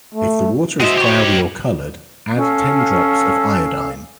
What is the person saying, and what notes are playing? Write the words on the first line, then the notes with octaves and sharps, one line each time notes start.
If the water is cloudy or colored, add ten drops of iodine.
A3
G#3 F#4 C5 D#5 E5
G4 C#5
C#4 A4 F5